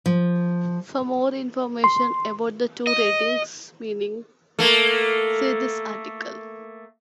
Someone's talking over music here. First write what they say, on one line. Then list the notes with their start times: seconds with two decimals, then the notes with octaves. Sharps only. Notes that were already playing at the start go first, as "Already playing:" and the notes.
For more information about the two ratings' meaning, see this article.
0.06 F3
1.84 C6
2.87 D#5
4.59 A3 A#3